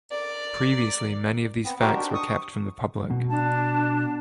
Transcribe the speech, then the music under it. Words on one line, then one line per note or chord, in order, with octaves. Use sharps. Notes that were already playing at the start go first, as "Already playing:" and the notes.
Previously many of these facts were kept from the public.
A#4 D5
B3 C4
D#4 F#4 G4 A#4 C5
D4
C#6 D#6
B2
D4 A5